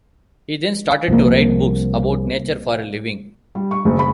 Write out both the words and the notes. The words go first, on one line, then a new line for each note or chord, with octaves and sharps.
He then started to write books about nature for a living.
C2 F3 A#3
G3
C#6
F#1
B5